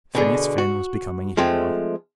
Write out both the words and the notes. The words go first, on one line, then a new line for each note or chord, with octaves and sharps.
Phineas Finn was becoming a hero.
B2 D3 G#4
F#4
F3 G#3 A3 C4